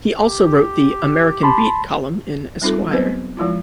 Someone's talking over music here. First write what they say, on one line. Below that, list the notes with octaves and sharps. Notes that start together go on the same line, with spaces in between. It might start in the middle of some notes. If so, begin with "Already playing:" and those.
He also wrote the "American Beat" column in "Esquire".
G4
A5 B5 C6
G3 C4 D#4 F4 A4
F#3 B3 C4 G4 B4 C5
F3 G#3 E4 F4